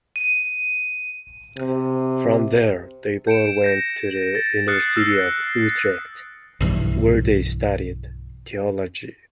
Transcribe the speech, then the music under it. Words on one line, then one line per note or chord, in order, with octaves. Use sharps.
From there, they both went to the University of Utrecht where they studied theology.
D#7
C3
G6 C#7 D7 E7
G6 A#6
A6
D#6 F6 F#6 A6 C7 C#7
E6 F6 A6 A#6 C7
B1 G2 E3